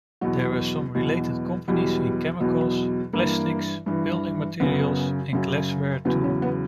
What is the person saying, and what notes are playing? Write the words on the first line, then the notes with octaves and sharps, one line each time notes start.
There are some related companies in chemicals, plastics, building materials and glass ware, too.
E2 B2 F#3 F#4
E2 B2 F#3
E2 B2 F#3 G3
E2 B2 F#3
G2 E3 A#3
G2 E3
F#2 C#3 F#3 B3
F#2 C#3 F#3
E2 C#3 F#3 B3
C#4
B3